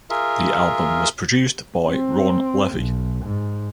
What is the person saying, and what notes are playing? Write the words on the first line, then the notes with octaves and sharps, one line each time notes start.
The album was produced by Ron Levy.
F4 G#4 A#4 E5
C4
B1
G#2